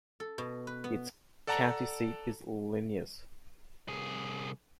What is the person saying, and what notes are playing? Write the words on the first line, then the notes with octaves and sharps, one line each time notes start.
Its county seat is Linneus.
A4
B2
B4
B3
A4 D5 F#5 A5 A#5
C2 G#4